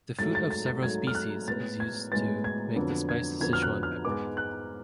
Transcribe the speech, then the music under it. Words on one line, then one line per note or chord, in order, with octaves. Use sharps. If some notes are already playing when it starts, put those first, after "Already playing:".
The fruit of several species is used to make the spice Sichuan pepper.
G#2 F#3 A3 A6
A6
A6
A6
G#2 F#3 A3 G#6
F6
F#6
A2 G#3 B3 A6
G#6
A2 G#3 B3 A6
G#6
F2 D3 F#3 B3
G#6
F2 D3 F#3 B3 G#6
F6
F#6
F6
G#2 G#3 B3 D6
F#6